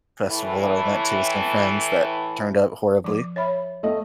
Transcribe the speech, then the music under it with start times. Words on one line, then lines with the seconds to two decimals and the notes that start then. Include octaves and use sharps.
festival that I went to with some friends that turned out horribly,
0.25 A2 E3
3.04 F3 D6
3.36 C#5 E5 B5
3.83 A3 D#5